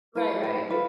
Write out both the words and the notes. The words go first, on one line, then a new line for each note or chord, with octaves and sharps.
Right, right.
E4 B4
B4
F4 A4 B4